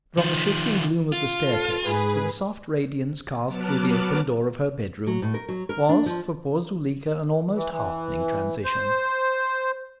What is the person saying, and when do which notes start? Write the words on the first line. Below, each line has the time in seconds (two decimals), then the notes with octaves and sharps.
From the shifting gloom of the stair-case to the soft radiance cast through the open door of her bedroom was for poor Zuleika an almost heartening transition.
0.18 D#3 F3
1.12 F4
1.46 A4
1.84 G#2 G#4 B4
3.46 F#3 B3 A5 D6 F6 F#6
5.07 F#3
5.22 A2
5.34 A#4
5.49 F#3
5.69 A#4
5.89 D4
6.06 F3
7.55 E3
7.71 E3
8.64 C5